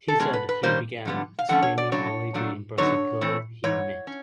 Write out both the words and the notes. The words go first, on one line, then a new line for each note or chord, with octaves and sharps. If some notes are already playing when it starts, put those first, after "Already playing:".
He said he began swimming only to impress a girl he met.
A4
B2 G#3 C#4 G#4
B4
B4
D#3 G3 A#3 C#4 C5
F2 D3 G3 B3
F5
D3 F3 A3 C#4 F#5
C#5
D5
F#2 C#3 F#3 D4 C#5
A#2 F#3 A3 D4
D3 F#3 B3 D#4 C#5
A2 E3 A3 C4
G#2 E3 C#5
C#4